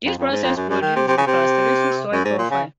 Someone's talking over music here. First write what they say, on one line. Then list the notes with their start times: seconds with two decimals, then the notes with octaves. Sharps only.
These processes produce the characteristic soil profile.
0.05 F2
0.18 F2
0.31 G#2
0.43 F2
0.56 F#2
0.70 F#2
0.82 D#3
0.96 C3
1.08 C3
1.17 C#3
1.27 C3
2.12 F#2
2.25 G#2
2.38 A#2
2.51 C#3